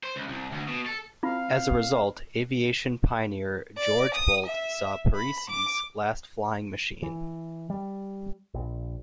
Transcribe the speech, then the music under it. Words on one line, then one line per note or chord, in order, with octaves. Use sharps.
As a result, aviation pioneer George Bolt saw Pearse's last flying machine.
C5
C#2
C2
D2
B2
A4
C4 E4 F4 F5 B5
D5
D#6
E5
B5
D6
E3
G3
A#1